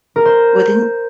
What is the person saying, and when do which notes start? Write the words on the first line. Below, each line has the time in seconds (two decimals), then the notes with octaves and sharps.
Well, then,
0.16 A#4
0.25 C5